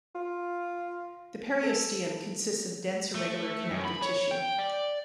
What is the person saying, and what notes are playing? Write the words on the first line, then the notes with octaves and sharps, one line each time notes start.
The periosteum consists of dense irregular connective tissue.
F4
A4
A3
F#2
B5
C#5
G5
D5